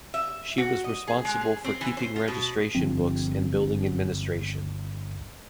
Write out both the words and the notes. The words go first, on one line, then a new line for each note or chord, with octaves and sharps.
She was responsible for keeping registration books and building administration.
E5
F#4
D#5
G#4
G#3
G#4
C4
E3
C5
F4
B2
G1 F3 C4